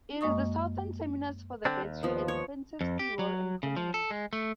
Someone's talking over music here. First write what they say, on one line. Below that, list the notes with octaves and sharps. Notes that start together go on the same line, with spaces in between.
It is the southern terminus for the Battery, a defensive seawall and promenade.
F#2 G#3 A#3 D#5 C#6 D#6
D3 C4 D4
D#2
F3 B3
C#5
F2
G4
F#3
C#3
F3
A4
G#3
A3